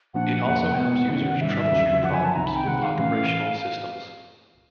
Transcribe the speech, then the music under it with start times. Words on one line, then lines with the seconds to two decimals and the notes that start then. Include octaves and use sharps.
It also helps users troubleshoot problems with operational systems.
0.14 A#2 F3 A#3 D4 F#5
0.46 F2 C3 F3 A#3
0.73 G5
0.77 B2 G#3 B3 F#5
1.09 C3 D#3 G#3 C#4
1.40 G#2 D#3 G3 E5
1.72 E2 C#3 F#3
2.03 F#2 D3 F3 F#5
2.14 G#5
2.25 A5
2.35 C2 C3 D#3 A#5
2.46 B5
2.56 G5
2.66 C3 D#3 G#3 F#5
2.83 F5
2.98 A2 E3 A3 C#4 F5